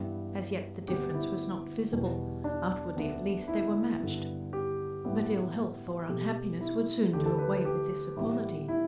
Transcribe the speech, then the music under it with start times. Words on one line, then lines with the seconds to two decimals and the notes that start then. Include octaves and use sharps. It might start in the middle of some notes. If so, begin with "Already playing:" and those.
As yet the difference was not visible; outwardly at least they were matched; but ill-health or unhappiness would soon do away with this equality.
Already playing: G2 E3 G3 B3
0.88 D2 D3 G3 B3 G4
1.15 E4
1.93 E2 B2 G3 B3
2.44 D4
2.97 D2 D3 B3
3.48 E4
4.00 G2 D3 G3 B3
4.53 G4
5.04 A2 G3 B3
6.08 B2 A3 G4
6.61 E4
7.13 D2 D3 A3 G4
7.26 A4
7.38 B4
7.52 B4
7.65 G4
8.16 A2 E3 G3 B3
8.68 E4